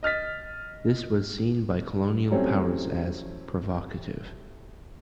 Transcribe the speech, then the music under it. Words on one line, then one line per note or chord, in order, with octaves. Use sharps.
This was seen by colonial powers as "provocative".
D#5 F6 A6 B6
F#3 G3 A3 C4 C#4 E4